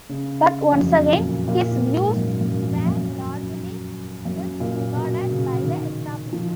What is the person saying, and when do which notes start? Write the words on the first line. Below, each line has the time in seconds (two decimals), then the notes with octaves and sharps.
But once again, his views were largely disregarded by the establishment.
0.09 C#3
0.72 F2
0.78 F#2
1.13 A#2
1.48 A#2
1.72 A#2
1.95 G#2
2.17 F#2
2.41 F#2
2.63 F2
2.86 F#2
4.25 F#2
4.60 A#2
4.94 B2
5.29 C#3
5.63 D#3
6.33 F3